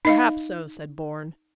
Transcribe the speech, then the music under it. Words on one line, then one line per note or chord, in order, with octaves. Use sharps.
"Perhaps so," said Bourne.
D#4 D#5 F5